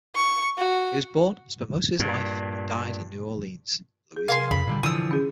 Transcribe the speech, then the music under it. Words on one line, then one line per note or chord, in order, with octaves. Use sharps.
He was born, spent most of his life, and died in New Orleans, Louisiana.
C#6
F#4
G2 A#2
G#4
C3 A#4 F5 G#5 C6
F2 C#3 B5
A#2 D3 G3
D3 E3 F3 D#6 E6
C#4 G#4